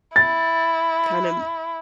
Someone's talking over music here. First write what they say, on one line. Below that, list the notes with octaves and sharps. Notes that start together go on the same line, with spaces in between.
kinda m
E4 A6